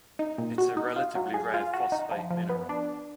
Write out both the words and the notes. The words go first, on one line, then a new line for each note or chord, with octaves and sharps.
It is a relatively rare phosphate mineral.
D#4
A#2
F#4
D#4
F4
F#3
G#4
F4
F#4
D#4
F3
F3
B3
D4